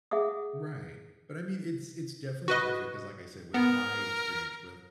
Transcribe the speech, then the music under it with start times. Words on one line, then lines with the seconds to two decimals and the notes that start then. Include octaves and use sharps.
Right. But, I mean, it's it's definitely worth it, 'cause, I said, with my experience with,
0.11 G#4 E5 F#5 D#6
2.48 F#4 B4 D#5
3.54 B3 A#4